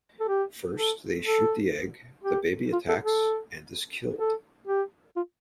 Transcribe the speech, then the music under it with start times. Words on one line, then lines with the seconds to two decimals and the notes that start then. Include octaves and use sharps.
First, they shoot the egg, the baby attacks and is killed.
0.20 A4
0.28 G4
0.77 A4
1.26 A4
2.24 G4
2.73 F4
2.89 A4
3.05 A4
4.19 A4
4.67 G4
5.16 F4